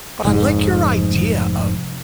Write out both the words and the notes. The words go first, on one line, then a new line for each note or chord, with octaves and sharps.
But I like your idea of
F1 G#2